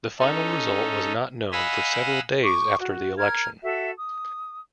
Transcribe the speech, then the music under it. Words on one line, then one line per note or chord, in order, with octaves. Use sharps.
The final result was not known for several days after the election.
C#4 D#4 A4
D#5 F5 F#5 G#5 B5 E6
C#6 D6
F#4
A#4 F6 G#6
F#4 A4 E5
D#6